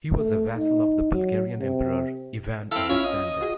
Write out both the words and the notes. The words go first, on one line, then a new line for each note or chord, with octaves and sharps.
He was a vassal of the Bulgarian Emperor Ivan Alexander.
A3
D#4
F#3
C3
C4 E4 A4 F5
A#1 C#4 F4 C#5
D#5
F4 F#4 G#4